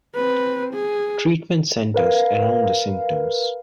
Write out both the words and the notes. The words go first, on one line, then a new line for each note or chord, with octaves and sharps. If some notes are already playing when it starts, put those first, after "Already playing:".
Treatment centres around the symptoms.
C4 B4
G#4
A#4 B4 F5